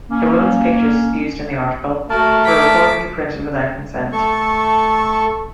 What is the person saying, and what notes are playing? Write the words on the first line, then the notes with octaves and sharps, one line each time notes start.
The women's pictures used in the article were reportedly printed without consent.
A#3 C#4
A3 F#4 A#4 A5
D6 B6
A3 A4 C#6